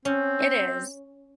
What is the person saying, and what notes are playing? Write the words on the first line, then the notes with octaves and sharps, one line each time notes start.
it is.
C4 C#4